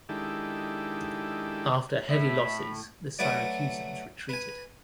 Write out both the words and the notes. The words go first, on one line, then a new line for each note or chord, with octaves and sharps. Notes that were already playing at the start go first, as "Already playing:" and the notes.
After heavy losses the Syracusans retreated.
D#3 G#3 D4 E4 G4 A4
A2 E5 B5
F#3 A3 F#4 B4 D5
B4 G#5